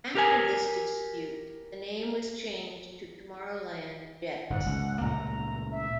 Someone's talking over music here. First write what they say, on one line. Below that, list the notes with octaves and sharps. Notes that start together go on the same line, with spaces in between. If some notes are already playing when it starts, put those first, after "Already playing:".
After this dispute, the name was changed to Tomorrowland Jets.
G4 A#4 G#5
G1 G#2 F#5
C#2
C#2 A#2 A3 A#5
E5